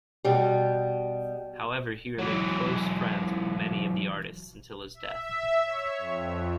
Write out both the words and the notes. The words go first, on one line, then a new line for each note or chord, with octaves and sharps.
However, he remained close friends with many of the artists until his death.
B2 G3
E3 F#3
E5
C#5
F2